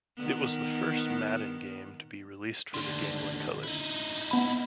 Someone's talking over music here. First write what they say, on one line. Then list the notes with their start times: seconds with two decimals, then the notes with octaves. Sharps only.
It was the first "Madden" game to be released for the Game Boy Color.
0.17 D#3 B3
2.74 D#2 D3 C6
3.63 D#4 E4
4.31 B3 B5